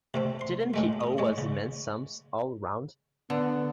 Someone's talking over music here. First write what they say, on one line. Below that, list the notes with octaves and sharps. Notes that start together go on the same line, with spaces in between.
Didn't he owe us immense sums, all round?
C3 A3 C4
C6
A2 G#3 A3
D#6
G#3 C#5
C#3
D3 B3